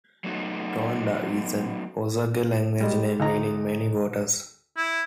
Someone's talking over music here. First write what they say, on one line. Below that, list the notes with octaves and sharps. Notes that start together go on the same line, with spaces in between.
Towanda is an Osage-language name meaning "many waters".
F#3 A3 B3 D#4 F#4
G3 G#3
D2 D#4 A#5
E4